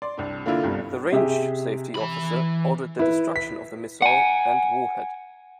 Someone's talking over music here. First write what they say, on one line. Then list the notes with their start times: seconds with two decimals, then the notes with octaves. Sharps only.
The range safety officer ordered the destruction of the missile and warhead.
0.02 D5 C6
0.17 C2 C3 D4
0.46 D3 A#3 D4 E4 F4
0.63 G1 C2 G2 G3
1.12 C3 G4 G#4 E5
1.95 E3 B5
2.99 E4 B4
3.36 B6
4.02 F#5 G#5